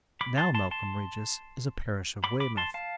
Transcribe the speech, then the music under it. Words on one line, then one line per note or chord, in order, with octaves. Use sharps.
Now Melcombe Regis is a parish of Weymouth.
B5 D6
A5 C6
A5 C6
A5 C6
B5 D6
B5 D6
A5 C6
F5 A5